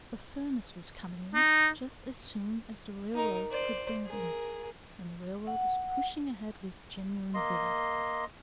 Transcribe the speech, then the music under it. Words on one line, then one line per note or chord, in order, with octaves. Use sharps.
A furnace was coming in just as soon as the railroad could bring it in, and the railroad was pushing ahead with genuine vigor.
D#4
D#4 A#4
C5 D5
G#4 A#4
F#5
A#3 D#5 C6